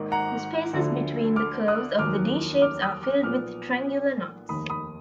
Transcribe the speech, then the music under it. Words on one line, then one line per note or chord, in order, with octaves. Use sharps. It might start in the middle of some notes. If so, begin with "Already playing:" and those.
The spaces between the curves of the "D" shapes are filled with triangular knots.
Already playing: G#1 G#2 D#3 A#3 D#4
F#5 A#5
D2 D3 F3
D6 F6
D#6 F#6
F1 D#2 D#3 F#3 D6 F6
D6 F6
D#6 F#6
D6 F6
B1 A#2 F3 B3 D6 F6
F1 D#2 D#3 B5 D#6
B5 D#6